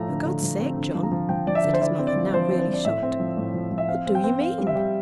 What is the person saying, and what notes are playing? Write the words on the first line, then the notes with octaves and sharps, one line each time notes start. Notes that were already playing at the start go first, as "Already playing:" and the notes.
'For God's sake, John!' said his mother, now really shocked, 'what do you mean?
Already playing: A2 F3 A3 A#5
D3
D3
F3
C4
D3
F3
A#5
F3
F3 G5
F3 D5
E5
D3
C5
E4 D5
C4
D5
F3
F3 C5
C4
C5
F3
D5
A2 E5
C4
F3
A2
F3
F3
E5
C4 F5
C4
G5
C4
C4 F5
G3
E5
G3